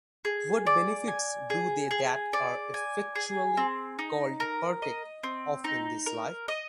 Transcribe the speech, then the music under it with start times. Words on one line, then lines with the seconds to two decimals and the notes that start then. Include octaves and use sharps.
What benefits do they that are effectually called partake of in this life?
0.25 G#4
0.66 D5
1.08 G#5
1.50 G#4
1.91 G#4
2.33 D5
2.74 G#5
3.15 G#4
3.57 C4
3.99 D#4
4.40 A#4
4.82 D#5
5.23 C4
5.64 D#4
6.06 A#4
6.48 D#5